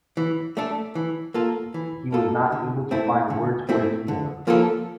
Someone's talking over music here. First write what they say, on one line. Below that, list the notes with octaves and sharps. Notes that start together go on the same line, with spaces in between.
He was not able to find words for his feelings.
E3
A3 D4 A4
E3
A#3 F4 A4
E3
A#3 F4 A4
D3
A3 C4 E4
D3
A3 C4 E4
D3
F3 A#3 F4 A4